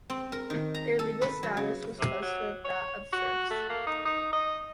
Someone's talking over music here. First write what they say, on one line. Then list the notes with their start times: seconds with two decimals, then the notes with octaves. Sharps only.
Their legal status was close to that of serfs.
0.10 C4
0.32 A#4
0.50 D#3
0.74 A#5
0.99 A4
1.22 B4
1.43 F#3
1.57 C#3
1.99 C3
2.22 F#3
2.65 C#5
3.13 F#4
3.50 A3
3.70 A#3
3.87 D#4
4.06 D#4
4.33 D#5